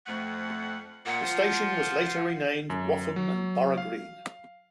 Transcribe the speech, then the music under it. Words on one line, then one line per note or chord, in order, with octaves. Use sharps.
The station was later renamed Wrotham and Boro Green.
F2 A3 F#5
A#2 F#5
F3 F4
F#2
F#3
F5